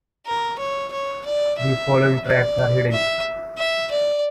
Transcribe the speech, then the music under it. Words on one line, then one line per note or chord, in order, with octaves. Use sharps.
The following tracks are hidden.
A#4
C#5
C#5
D5
E5
D5
E5
E5
D5